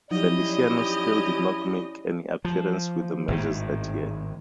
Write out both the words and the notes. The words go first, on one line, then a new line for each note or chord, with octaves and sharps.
Feliciano still did not make any appearance with the majors that year.
F3 F#3 C#4 D#4 E4 G4 D5 D#5
F3
G#1 A2 D#3